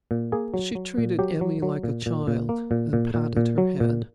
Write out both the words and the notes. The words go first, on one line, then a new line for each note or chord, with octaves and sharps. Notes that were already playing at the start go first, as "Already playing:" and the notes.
She treated Emmy like a child and patted her head.
A#2
A#3 G#4
F#3
F#3
A#2
F#3 G4
F#3
F#3
A#2
A#2
A#2
A#3
A#2
A#2
A#2
A#2
F#3
A#2